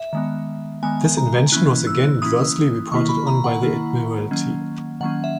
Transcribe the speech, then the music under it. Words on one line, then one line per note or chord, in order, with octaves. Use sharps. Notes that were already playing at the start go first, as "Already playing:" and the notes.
This invention was again adversely reported on by the admiralty.
Already playing: E5
D#3 G#3 B3
D#3 G#3 B3 G#5
A#5
E3 A#3 C#4 E4 F#6
E6
E3 A#3 C#4 E4 D#6
D#3 A#3 E4 C#6
B5
A#5
F#5
D#3 A#3 E4
D#3 F#3 A#3 C#4
D#3 F#3 A#3 C#4 F#5
E5